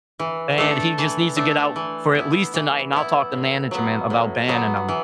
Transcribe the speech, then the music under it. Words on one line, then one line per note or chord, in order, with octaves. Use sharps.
and he just needs to get out for at least tonight, and I'll talk to management about banning him."
E3
A3 D4 A4
E3
A3 D4 A4
E3
B3 E4
E3
B3 E4
A2
F#3 B3
A2
F#3 B3
E3